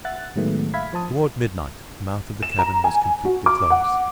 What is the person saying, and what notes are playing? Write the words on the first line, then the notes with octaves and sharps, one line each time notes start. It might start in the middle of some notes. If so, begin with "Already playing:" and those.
Toward midnight the mouth of the cavern was completely closed.
E5 F#5 F#6 A6
A2 D#3 F#3 G#3 A3 B3
E5 F5 B5 G#6 B6
F3 C5 A5 D#6
E7
A#5
G#5
F#4
D6
F#5